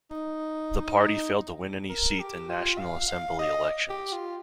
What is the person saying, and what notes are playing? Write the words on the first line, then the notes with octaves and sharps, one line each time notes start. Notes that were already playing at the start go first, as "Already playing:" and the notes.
The party failed to win any seat in National Assembly elections.
D#4
D#4
A#4
G4
F4
F5
F5
D#5
G4
F4